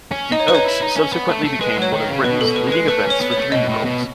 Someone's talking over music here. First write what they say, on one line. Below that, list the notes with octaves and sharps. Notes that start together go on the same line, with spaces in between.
The Oaks subsequently became one of Britain's leading events for three-year-olds.
C#4
D#4 D#5
C#5
D#4 B4
C#5
E4
D#4
C#4
B3
A3
A3
G#3 B4
F#3
C#5
D#3
C#3
B2 B4
A4
B2
B4
G#3
B4
A3 B4
C#4
C#5
B3
C#5
A3
B2 D#5
A2
B2